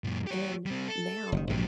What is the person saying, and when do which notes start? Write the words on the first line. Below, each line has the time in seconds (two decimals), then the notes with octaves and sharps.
And now,
0.04 F#2 A#2
0.27 G4 C#5
0.66 G3 C4
0.88 A4
1.32 F#1 C3 D#3
1.49 A#1 G#2 C3 F#3